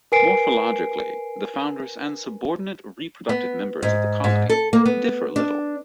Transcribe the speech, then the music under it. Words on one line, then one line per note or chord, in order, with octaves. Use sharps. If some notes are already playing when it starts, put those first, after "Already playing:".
Morphologically, the foundress and subordinate reproductive members of the colony differ little.
A#4 B4 G#5 C7 D7
B3
G#2
G#2
A4
A#3
B3
D4